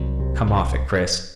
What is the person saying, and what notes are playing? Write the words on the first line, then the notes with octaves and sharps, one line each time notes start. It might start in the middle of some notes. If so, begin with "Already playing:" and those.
"Come off it, Chris!"
Already playing: C2 F#3
C3
C2